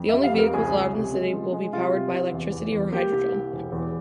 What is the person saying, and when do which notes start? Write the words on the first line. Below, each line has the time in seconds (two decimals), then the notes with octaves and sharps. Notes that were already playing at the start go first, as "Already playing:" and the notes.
The only vehicles allowed in the city will be powered by electricity or hydrogen.
Already playing: F2
0.09 E5
0.13 G3
0.24 F5
0.34 F2 A#4
0.53 C#2 G#4
0.74 C#2
0.93 C3
1.13 G#3
1.33 F3
1.52 G#3
1.73 C3 F4
1.93 C3
2.12 C2
2.33 E2
2.52 E2
2.72 E2
2.92 A#3 G4
3.12 C2
3.32 C2
3.52 E1
3.72 E2